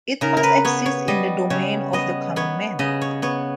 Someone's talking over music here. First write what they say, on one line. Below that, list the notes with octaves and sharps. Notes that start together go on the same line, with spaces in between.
It must exist in the domain of the common man.
C#3 A#4
A#4
B4
B3 C#5
C#5
G3 D#5
C#3 C#5
B3 D#5
B3 C#5
C#3 D#5
C#5
B3 C#5